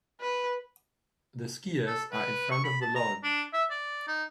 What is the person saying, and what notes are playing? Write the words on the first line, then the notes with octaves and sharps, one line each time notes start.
The skiers are in front of the lodge.
B4
A4
B4
C#6
B5
A5
A#5
D4
E5
D5
D#4